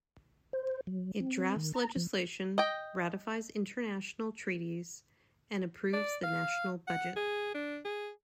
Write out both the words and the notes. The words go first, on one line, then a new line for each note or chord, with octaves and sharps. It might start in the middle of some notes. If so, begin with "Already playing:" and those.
It drafts legislation, ratifies international treaties, and approves the national budget.
C5
F#3
C4
D#3
A#5
F3
D#5 G5
D5
F5
F#5
G#4
D4
G#4